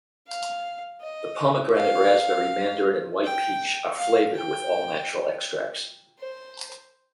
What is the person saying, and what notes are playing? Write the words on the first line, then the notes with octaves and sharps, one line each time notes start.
The Pomegranate Raspberry, Mandarin, and White Peach are flavored with all natural extracts.
F5
D#5
F5
G5
F5
G5
C5